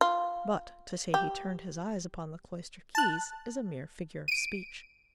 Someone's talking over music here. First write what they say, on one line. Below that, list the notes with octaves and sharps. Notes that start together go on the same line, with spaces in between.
But, to say he turned his eyes upon the cloister keys, is a mere figure of speech.
F4
G4
A5 F#6
D7 D#7